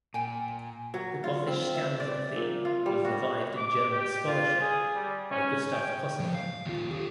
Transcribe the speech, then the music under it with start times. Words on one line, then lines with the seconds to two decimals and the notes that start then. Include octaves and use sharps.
The Gothiscandza theme was revived in German scholarship by Gustav Kossinna.
0.14 A#2 G5 G#5
0.94 F#3
1.24 F4
1.47 C4
1.75 E5
2.00 D5
2.36 A#2
2.65 F4
2.86 G3
3.05 F#4
3.56 D6
3.91 G4
4.27 F4
4.61 G#4
4.95 G3
5.31 C#4
5.72 G5
6.20 A2 F3
6.35 F5
6.66 D#2 F4
6.91 G4 A4